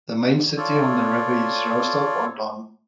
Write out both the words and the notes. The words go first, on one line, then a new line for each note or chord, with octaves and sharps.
The main city on the river is Rostov on Don.
F4 A4 C#5 D5